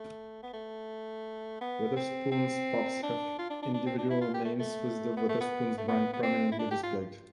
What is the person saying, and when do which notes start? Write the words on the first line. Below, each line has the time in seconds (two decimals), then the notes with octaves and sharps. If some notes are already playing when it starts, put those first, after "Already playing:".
Wetherspoons pubs have individual names, with the Wetherspoons brand prominently displayed.
Already playing: A3
0.43 B3
0.53 A3
1.61 B3
1.96 C4
2.31 C4
3.03 D4
3.39 F4
3.50 D4
3.62 D4
3.74 D4
3.86 C4
3.98 D4
4.10 E4
4.21 F4
4.34 G4
4.45 A3
4.59 A3
5.17 B3
5.29 A3
5.40 B3
5.78 A3
5.88 B3
6.13 B3
6.23 C4
6.52 E4
6.59 D4
6.71 G4
6.83 F4